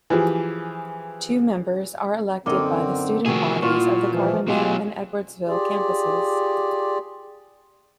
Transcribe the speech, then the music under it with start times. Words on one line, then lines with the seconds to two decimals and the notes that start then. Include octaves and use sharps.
Two members are elected by the student bodies of the Carbondale and Edwardsville campuses.
0.10 E3 F3 G4 G#4
2.46 F#2 D3 A#3 C4 D#4 D#5
3.26 C3 D#3 F3 A3 F#4 G#4
3.62 A#2 G3 E4 F4 C#6
4.11 E3 F3
4.48 B2 F#3 G#3 A3 F4 G4 G#4
5.47 F4 G4 G#4 D5